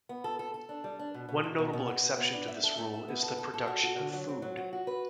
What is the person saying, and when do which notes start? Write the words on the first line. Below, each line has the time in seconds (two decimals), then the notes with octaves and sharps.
One notable exception to this rule is the production of food.
0.09 B3
0.24 A4
0.39 A4
0.54 A4
0.69 D4
0.84 G3
0.99 D4
1.14 B2
1.29 B2
1.44 B2
1.58 B2
1.73 B2
1.88 B3
2.03 B2
2.18 B3
2.33 D4
2.48 E5
2.63 A4
2.78 A3
2.94 E5
3.08 B3
3.23 A4
3.38 A4
3.54 A4
3.67 F#4
3.83 F#4
3.98 D3
4.13 F#3
4.28 C4
4.42 F#3
4.57 F#4
4.73 F#4
4.87 B4